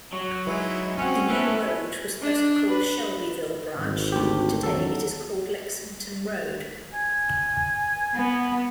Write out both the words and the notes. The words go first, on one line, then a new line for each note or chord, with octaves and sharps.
The new road was first called 'Shelbyville Branch', today it is called Lexington Road.
F#3
G#3 D#4 E4 B4
C4 C#4 F#4 F#5
E4 A4 B4 C5 E5
D4
B4
G#1
D2 G4
E2 D#3 F#3 C#4 A4
G#5
B3